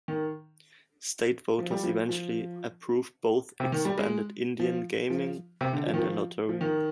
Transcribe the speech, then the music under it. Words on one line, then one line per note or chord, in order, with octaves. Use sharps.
State voters eventually approved both expanded Indian gaming and a lottery.
D#3
F3
G3
F3
F3
C3
D#3
G3
G#3
F3
F3
C3
D3
F3
D#3
F3
F3
D#3